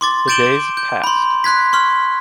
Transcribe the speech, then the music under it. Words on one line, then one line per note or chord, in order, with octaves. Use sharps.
The days passed.
C6 D6 A6
G6 A6 D7 E7 F#7 G7
G6
B5 C6
C6 F#6 G#6 B6
C6 C#6 F6